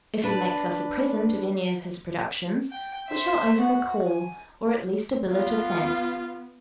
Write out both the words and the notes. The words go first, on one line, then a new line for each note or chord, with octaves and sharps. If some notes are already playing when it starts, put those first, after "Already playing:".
If he makes us a present of any of his productions, we shall owe him a call, or at least a billet of thanks.
D4 B4
G5
C5 E5
F#4 F#5
G#5
B3 F4